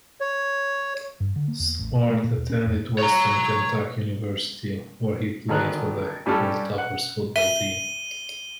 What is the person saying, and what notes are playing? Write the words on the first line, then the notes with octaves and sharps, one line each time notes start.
Smart attended Western Kentucky University, where he played for the Hilltoppers football team.
C#5
G2
D3
A#3
E2
A1
B2
A3
A#2
D#2
C#4
F2
C#5 A#5 C#6
G#1 D3 D#3 F6 F#6
G2 G3 C#4 G4 A4 F6
F#5
E5 D#7 G7